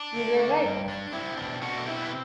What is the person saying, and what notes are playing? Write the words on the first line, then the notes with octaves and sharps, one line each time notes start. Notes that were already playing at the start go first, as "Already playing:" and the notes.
You were right!
Already playing: D4
A3
D4
G2
D4
C4 E4
B2 D4
B2 D4 F#4
A4
C4 E4 G4
B4